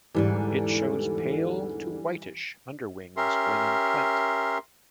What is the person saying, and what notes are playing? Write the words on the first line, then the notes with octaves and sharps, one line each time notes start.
It shows pale to whitish underwings when in flight.
E2 G#2 D3 E3 G3
C#4 G4 A#4 E5 C6